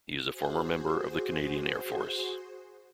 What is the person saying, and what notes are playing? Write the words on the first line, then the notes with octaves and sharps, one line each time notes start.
He is a former member of the Canadian Air Force.
F#4 G#4 C5